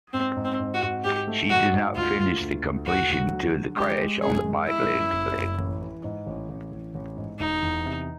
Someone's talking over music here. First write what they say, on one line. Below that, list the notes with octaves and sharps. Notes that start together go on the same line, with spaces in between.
She did not finish the competition due to a crash on the bike leg.
G#2 C4
G#2
C4
G#2
F#4
G#2
G#2 G4
A3
G#2 F#4
G#2
D2 F4
D2
D2
D2
D2 F#4
D2
F#3
D3
G#3 G4
G#3
F#2 G#4
G#3
G#3 E4
F#2
F#1
F#1
A1
E3
G#2
A1
A1
A1
A1
G#2
E1 D#4
E2
C3